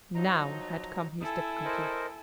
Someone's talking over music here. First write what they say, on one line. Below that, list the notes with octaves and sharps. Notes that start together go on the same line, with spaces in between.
Now had come his difficulty.
F3 F#3 D#4 A#5
E4 A4 G#5
A#4 C5 D#5